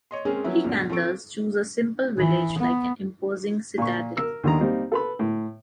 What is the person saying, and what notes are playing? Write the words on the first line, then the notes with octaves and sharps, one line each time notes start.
He can thus choose a simple village like an imposing citadel.
C#5 D#5 C6
G#3 C4 C#4 G#4 A#4
F3 F#3 B3 C#4 E4
D2 G#2 B2 D3
F3 C4 A4 C#6 D7
E3
B3
A#2 C#6
A#4 E6
D#2 D3 D#3 A#5
G3 A#3 C4 D#4
A4 B4 B5
A2